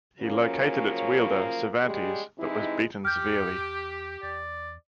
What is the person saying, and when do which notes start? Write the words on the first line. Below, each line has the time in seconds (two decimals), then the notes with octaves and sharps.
He located its wielder, Cervantes, but was beaten severely.
0.20 C#3 F3 F#3 A#3 C#4
1.83 C#3 G3 G#3 G4
2.38 C3 E3 G#3 D#4 E4
3.05 E2 G4 D6 F6 G6
4.23 E2 D5